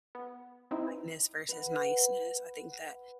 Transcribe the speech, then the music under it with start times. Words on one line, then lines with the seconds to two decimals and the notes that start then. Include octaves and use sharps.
kindness versus niceness. I think that
0.15 B3
0.71 C4 D#4 E4
1.49 B4 F#5